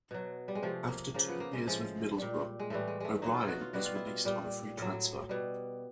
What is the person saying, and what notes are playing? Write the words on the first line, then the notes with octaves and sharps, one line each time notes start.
After two years with Middlesbrough, O'Brien was released on a free transfer.
B2 F#3
G3
G#3
C3 F3 A3
A#3
C#3 F3 A#3
B3
A#3
G#3
A2 F3 G#3
A#2 G3
G#3
A2 E3 G3 A3
G#3
G#3 A3
B2 F#3 D#4
F4
F#4
F4
B2 G3 F#4
F4
E4
F4
A#2 G3
A2 F#3
B2 G3